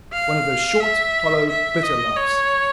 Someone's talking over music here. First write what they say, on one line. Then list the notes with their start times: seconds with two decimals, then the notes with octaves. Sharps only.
One of those short, hollow, bitter laughs.
0.13 F5
0.80 E5
1.49 E5
1.83 D#5
2.17 C#5